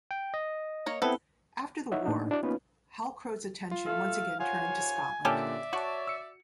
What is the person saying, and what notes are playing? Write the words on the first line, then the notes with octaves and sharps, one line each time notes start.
After the war, Halcrow's attention once again turned to Scotland.
G5
D#5
A#3 C#5 A#5
B3 C4 E4 A4 B4
D#4 C#5 D#5 E5 F#5
A2 A#3 D4 D#4
D4 E4 F#4 D5
A#3 B3 C#4 D#4 F4 B4
F4
A#2 A3 A4 F5
D#2 F4 C5 C#5 F5 F#5 G#5
A#2 D3 C#4 G4 A4 D5 E5
F#4 C#5 A5 D6
E6 C#7